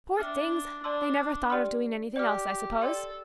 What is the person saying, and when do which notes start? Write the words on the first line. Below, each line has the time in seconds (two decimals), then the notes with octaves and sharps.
Poor things, they never thought of doing anything else, I suppose!
0.17 D4 E5 G5 D6 F6
0.83 D4 D5 A5 C6 E6
1.50 G4 D5 G5 C6 F6
2.16 G4 D5 G5 D6 F6
2.82 G4 A4 D5 G5 C6